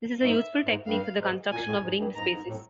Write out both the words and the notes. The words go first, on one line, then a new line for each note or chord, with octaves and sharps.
This is a useful technique for the construction of ringed spaces.
G#2 E5
G#2
G2 F5
G#2
A#2 G#5
A2
G#2
G2
G#2 A#5
G#2
A2